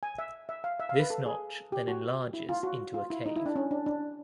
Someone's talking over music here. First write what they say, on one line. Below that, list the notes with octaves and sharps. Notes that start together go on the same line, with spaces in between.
This notch then enlarges into a cave.
G#5
E5
E5
F5
E5
F5
B4
A4
G#4
G4
F#4
E4
F4
F#4
F4
E4
D#4
E4
D4
C#4
D4
D4